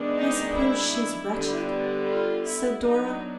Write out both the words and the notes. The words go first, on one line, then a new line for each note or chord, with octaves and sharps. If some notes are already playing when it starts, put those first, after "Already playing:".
'I suppose she's wretched?' said Dora.
Already playing: D#3 G#3 B3 D4
D#4
E4
D3 G3 B3
F4
E4
F#3 B3 D4 D#4